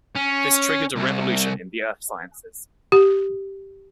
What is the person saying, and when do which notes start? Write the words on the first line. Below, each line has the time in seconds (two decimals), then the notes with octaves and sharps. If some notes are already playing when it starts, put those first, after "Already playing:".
This triggered a revolution in the earth sciences.
0.16 C#4
0.96 C2
2.92 G4